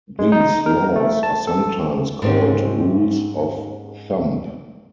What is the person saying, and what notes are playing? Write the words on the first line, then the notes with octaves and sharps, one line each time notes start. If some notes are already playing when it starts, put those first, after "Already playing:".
These 'laws' are sometimes called rules of thumb.
G#3
D#4
A#4
A3
A5
A4
G#2 C4 C#4